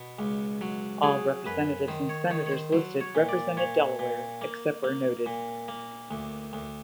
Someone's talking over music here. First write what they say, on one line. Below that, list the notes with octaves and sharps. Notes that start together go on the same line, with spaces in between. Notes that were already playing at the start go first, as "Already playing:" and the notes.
All representatives and senators listed represented Delaware except where noted.
Already playing: B2
C#2
F#3
F#3 G#4
F#2 B4
D#3 C5
C#5
D#3 C#5
C#5
C5
F#3 C5
C#5
A#2
D5
A#2 C#5
A#2
A#3
A#3
A#2
A#3
D2
D2